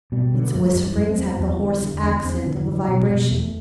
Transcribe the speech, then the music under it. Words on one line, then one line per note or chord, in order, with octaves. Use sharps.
Its whisperings had the hoarse accent of a vibration.
B2 G3
D3 F#3
B3
F#2 A3
G3
F#2 G3
E3
F#2
C4
E2 C4
E2
D3
D3
E2 D4
E2 C4
D3 B3
E3
F#2 E3
F#3
B2
B2
E2 A3